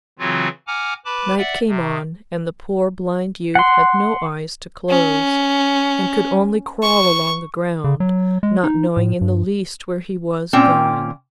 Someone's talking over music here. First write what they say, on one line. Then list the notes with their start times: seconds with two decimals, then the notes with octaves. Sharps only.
Night came on, and the poor blind youth had no eyes to close, and could only crawl along the ground, not knowing in the least where he was going.
0.19 C#3 E3 F#3 C4 F4 F#4
0.67 F#5 G#5 A#5 D6 F6
1.05 B4 A5 B5 D6
1.38 D5 E5 F#5
1.68 C3
3.55 F#5 C6
4.89 C#4
6.82 C#6
7.84 C#3
8.00 F#3
8.43 G#3
8.64 D#4
8.97 A2
9.21 G2
10.53 A#2 C4 C#4 G5